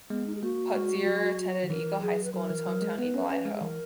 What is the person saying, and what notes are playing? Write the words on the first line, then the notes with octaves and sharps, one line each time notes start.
Putzier attended Eagle High School in his hometown Eagle, Idaho.
G#3 B3
D#4
G#4
A#3 F#4
G#3
G#3
F#3
D#3
E3 A#4
F#3 G#4
B4
F#3 A#4
E3
F#3
G#3
B3 B4
C#4
C#4 B4
G#3
G#4
E3 A#4